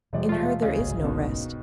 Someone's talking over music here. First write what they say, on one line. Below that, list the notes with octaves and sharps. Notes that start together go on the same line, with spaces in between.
In her there is no rest.
D#1 B2 E3 G3 G#3 D5
A3 F4
D2 C#3 G#4 D#5
G1 C2 G#2
D#2 B2 D#3